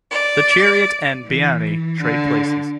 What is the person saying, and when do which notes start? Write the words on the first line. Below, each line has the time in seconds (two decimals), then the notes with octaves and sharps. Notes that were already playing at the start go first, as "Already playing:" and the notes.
"The Chariot" and "Beanni" trade places.
0.10 D5
1.24 E3
2.01 D3